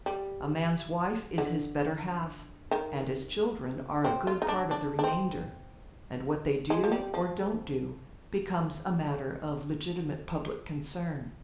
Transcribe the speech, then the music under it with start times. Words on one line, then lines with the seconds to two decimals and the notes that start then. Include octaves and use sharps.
A man's wife is his better half and his children are a good part of the remainder, and what they do or don't do becomes a matter of legitimate public concern.
0.06 G3
1.38 D3
2.71 D#3
4.05 C4
4.27 F4
4.42 D#4
4.48 D4
4.71 D4
4.99 D4
5.04 C4
6.70 G#3
6.84 F3
6.92 G3
7.14 F3